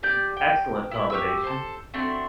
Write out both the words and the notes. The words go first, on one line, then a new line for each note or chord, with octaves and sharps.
Uh, d excellent combination.
G4 D5 G6
G5
E4 B5
G4 C#6 E6
A4 C5
A3 C4 D4 F#4